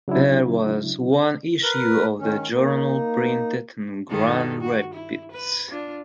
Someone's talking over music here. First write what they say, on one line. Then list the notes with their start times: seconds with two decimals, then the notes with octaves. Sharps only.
There was one issue of the journal printed in Grand Rapids.
0.08 C#3 F#3 D4 E4
1.63 A#4 B4
2.19 D#3 C#4
2.54 A#3 D#4
4.09 G2 D#3 A4
4.61 F#4
4.94 E4
5.32 B4
5.71 D4 F4